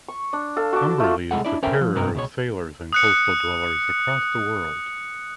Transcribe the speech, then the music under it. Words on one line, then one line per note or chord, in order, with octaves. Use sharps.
Umberlee is the terror of sailors and coastal dwellers across the world.
C#6
D4
A4 F5
F#4 A5 D6
A3 F4
C2 F2 G#3 A4 F#5
D4 E4 D5
C#4 A4 A#4 C5 E5 G5
F3
G2 C3 B3 D#4 A#4
C#2 B2 C#5
D#6 F#6 C#7